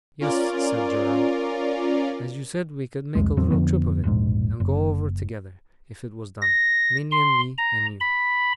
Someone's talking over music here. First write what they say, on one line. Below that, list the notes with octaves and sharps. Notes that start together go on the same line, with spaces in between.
'Yes,' said Joram. 'As you said we could make a little trip of it, and go over together, if it was done, Minnie and me--and you.'
C#4 F4 A#4 D5
C2 F2 G#3
E2 A2 F#3 C4
F2 D3 F3 B3
E1 A#1 G#2
F#1
A#6
C6
A#5
B5